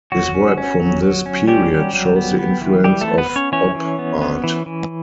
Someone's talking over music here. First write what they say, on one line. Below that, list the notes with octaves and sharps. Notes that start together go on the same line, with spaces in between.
His work from this period shows the influence of Op Art.
F#3 F#4
C#4
C#4
F#3
F#3
C#4
G3 C#4 G4
F#3
F#3
B3
B3
E3
E3 G3 G4
A3 A4
B3
B3 B4
B3
C#4 C#5
E3 C#4 C#5
E3
B3
B3
E3
E3